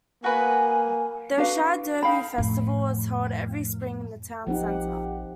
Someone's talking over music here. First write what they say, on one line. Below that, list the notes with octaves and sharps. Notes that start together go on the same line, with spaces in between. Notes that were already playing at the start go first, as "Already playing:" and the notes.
The Shad Derby Festival is held every spring in the town center.
A#3 F#4 B4 G#5
D4 F#4 B4 F5
D#4 F5 G5 B5
F2 A2
A#1 F3 C4 D#4 G4 F#5